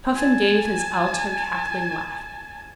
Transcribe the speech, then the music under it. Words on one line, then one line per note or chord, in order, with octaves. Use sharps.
Puffin gave his alto cackling laugh.
G#5 A5